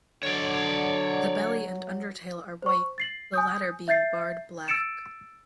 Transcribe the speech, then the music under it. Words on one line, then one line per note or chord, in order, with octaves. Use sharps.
The belly and undertail are white, the latter being barred black.
D3 F#3 C#5 D5
C5 C#6
A6 C7 F#7
G#5 D#6 G6
E5 G6 A6 C7
E6 A6 C#7 D7 E7